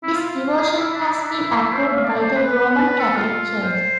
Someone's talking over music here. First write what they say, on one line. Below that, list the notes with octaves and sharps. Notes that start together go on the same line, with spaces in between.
This devotion has been approved by the Roman Catholic Church.
E4
F4
G#4
F4
E4
D4
E4
D4
E4
C5
E5
F5
D5
C5
B4
A4
F4
C5